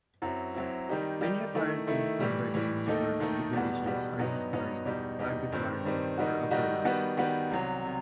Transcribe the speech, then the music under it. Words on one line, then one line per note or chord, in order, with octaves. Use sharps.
Many apparently 'standard' names for configurations are historic, arbitrary, or overlapping.
F#2 F#3 C4 E4
F#2 F#3 C4 E4
D#3 G3 D#4 G4
D#3 G3 D#4 G4
D#3 A3 E4
D#3 A3 E4
A2 E3 G3
A2 E3 G3
D#2 D#3 A3 D#4 A4
D#2 D#3 A3 D#4 A4
E2 B2 G3 B3 F#4
E2 B2 G3 B3 F#4
G2 F#3 B3 D#4
G2 F#3 B3 D#4
E2 B2 G3 D#4
E2 B2 G3 D#4
G2 D#3 G3 C4
G2 D#3 G3 C4
D#3 G3 D#4 F#4
D#3 G3 D#4 F#4
D#3 G3 B3 F#4
D#3 G3 B3 F#4
C2 C3 F#3
C3